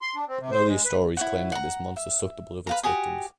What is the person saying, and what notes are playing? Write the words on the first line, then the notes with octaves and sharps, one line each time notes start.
The earliest stories claim that this monster sucked the blood of its victims.
C6
D4
C4
C3
C5
G#3
B4
E4 C#5 F#5
F#5 A#5
E5
B4 F5 A#5
F#4 G4 G#5 D#6